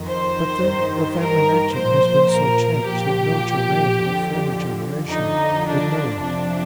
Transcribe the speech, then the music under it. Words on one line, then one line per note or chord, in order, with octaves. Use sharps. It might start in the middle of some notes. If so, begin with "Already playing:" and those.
But then the family mansion has been so changed that no Germain of a former generation would know it.
Already playing: F2 D#3
C5
G2 D#3
A#4
A#2 F3 C5
A#4
A#2 F3 G4
F2 D3 F3
F2 D3 F3 D#4
D4
F2 C3 F3 D4